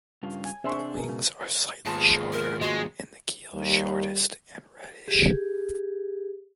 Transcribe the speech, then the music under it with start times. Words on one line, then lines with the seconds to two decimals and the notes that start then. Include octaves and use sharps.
The wings are slightly shorter and the keel shortest and reddish.
0.23 G2 C#3 F4 A5
0.45 G#5
0.64 C3 D4 G#4 C5 E5 C6 C#6
0.95 B2 G#4 A#4
1.08 G#2 C#3
1.85 D#2 G#2 B3 F4 G#4 A5
2.32 A#4
2.61 G#3 F#4
3.54 D#2 G3
5.08 G4 G#4